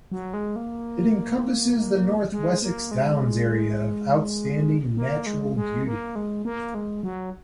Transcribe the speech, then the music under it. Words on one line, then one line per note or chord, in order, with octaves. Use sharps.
It encompasses the North Wessex Downs Area of Outstanding Natural Beauty.
F#3
G#3
A#3
G#3
A#3
G#3
A#3
G#3
G#3
A#3
G#3
A#3
G#3
F#3